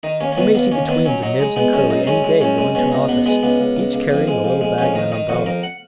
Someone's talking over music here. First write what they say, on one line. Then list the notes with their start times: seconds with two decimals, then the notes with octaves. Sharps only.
You may see the twins and Nibs and Curly any day going to an office, each carrying a little bag and an umbrella.
0.03 D#3 D#4
0.21 D#2 C#4
0.32 C#4
0.37 D#3 B3
0.55 D#2 B3
0.71 D#2 C#4
0.88 D#3 B3
1.06 F#3 C#4
1.22 F#3 D#4
1.40 G#3 D#4
1.56 G#3 B3
1.73 F#2 C#4
1.90 F#2 D#4
2.07 G#3 C#4
2.24 G#3
2.41 F#2 C#4
2.58 G#3
2.75 B2 C#4
2.92 C#2 D#4
3.09 B2 B3
3.26 G#3 B3
3.43 C#2 B3
3.60 C#2
3.76 C#2
3.93 C#2
4.11 F2
4.28 G#3
4.44 F2
4.61 G#3
4.78 F2 C#4
4.95 D#3 D#4
5.12 D#3 D#4
5.29 F2 F#4
5.46 F2 A#4
5.63 F#5